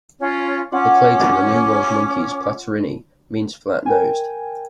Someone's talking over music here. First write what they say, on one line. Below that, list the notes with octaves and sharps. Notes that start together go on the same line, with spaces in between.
The clade for the New World monkeys, Platyrrhini, means "flat nosed".
C#4 F4
C#4 F4 F#5 C6 D6
A#4 G5 G#5